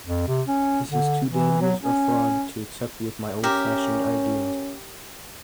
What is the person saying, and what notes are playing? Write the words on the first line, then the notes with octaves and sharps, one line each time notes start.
This is too dangerous a fraud to accept with my old-fashioned ideas.
F2
C3
C#4
D3
E3
F#3
C#4
C#4 G4 A#4 E5